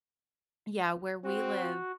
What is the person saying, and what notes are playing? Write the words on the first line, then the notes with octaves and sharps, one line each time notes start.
Yeah, where we live,
C4 F#4